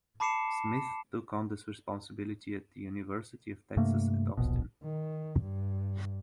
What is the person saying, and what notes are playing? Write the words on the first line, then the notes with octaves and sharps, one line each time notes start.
Smith took on this responsibility at the University of Texas at Austin.
A5 B5 D6 C7 C#7 E7
G2 C3 A3 A#3
D1 A#1 B2
D#3
G2